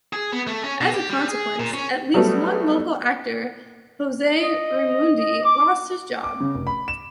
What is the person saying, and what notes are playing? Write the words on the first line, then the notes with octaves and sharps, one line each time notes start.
As a consequence, at least one local actor, Jose Reymundi, lost his job.
G#4
B3
A3
C#4
B2
G4
G3
G#4
A#2
C#4
F#3 G3 A3 B3
D#5
D6
D6
C#3
F1
B5
E7